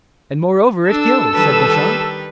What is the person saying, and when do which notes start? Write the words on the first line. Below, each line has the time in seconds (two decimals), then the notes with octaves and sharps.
"And moreover, it kills," said Beauchamp.
0.89 D4 A4 A5 E6
1.33 D#3 G3 B4